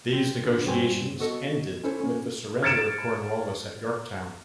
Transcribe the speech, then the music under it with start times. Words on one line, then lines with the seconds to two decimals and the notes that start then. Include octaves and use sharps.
These negotiations ended with the surrender of Cornwallis at Yorktown.
0.13 C4
0.45 D3 B4
0.66 G2 C4 F#4 G5 G#5 C6
1.19 B3 F#4 A4 D#5
1.84 C#4 E4 A4 C5
2.00 A#3 C#4
2.63 F6 G#6 A6 C#7 D7 E7